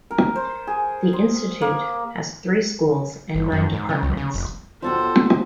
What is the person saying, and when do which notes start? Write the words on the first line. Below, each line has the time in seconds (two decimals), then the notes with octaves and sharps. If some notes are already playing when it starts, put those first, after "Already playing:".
The Institute has three Schools and nine Departments.
0.11 A#4
0.36 C5
0.67 G#4
1.13 C6
1.61 A#3
3.34 G1
3.52 F#2
3.73 G#2
3.89 C#3
4.03 C#2
4.17 C#3
4.34 F1
4.82 D#2 B2 D3 F3 F#3 D4 A4 C5